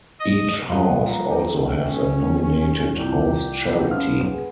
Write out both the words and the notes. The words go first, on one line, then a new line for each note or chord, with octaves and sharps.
Each house also has a nominated house charity.
D#5
F3 G3 B3 F4 D#5
F#5 A#5
G4 G#5 A#5
C#4
E6
C2 F3 G4
B3 C5
F3 C#4 F5 F6
G#4